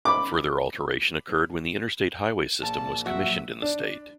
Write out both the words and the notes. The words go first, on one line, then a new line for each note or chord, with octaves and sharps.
Further alteration occurred when the Interstate Highway System was commissioned in the state.
B5 D6
A#1 A#3 A5
F#3 F#4 E5
D4